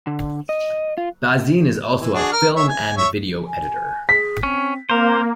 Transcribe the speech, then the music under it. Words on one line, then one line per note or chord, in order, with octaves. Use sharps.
Bazin is also a film and video editor.
D3
D#5
F4
E3
D4 F#4 G#4
A#4 F6
C#5 E5
G#5
C#5 E5
G#5
G#4 B6
C4 C#4
A#3 C4 A#4 C5